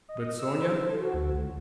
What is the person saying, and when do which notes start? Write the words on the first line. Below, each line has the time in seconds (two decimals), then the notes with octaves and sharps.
But Sonya?
0.09 D#5
0.39 E6
0.59 C5
0.83 A4
1.00 F#4
1.13 D2
1.34 C#2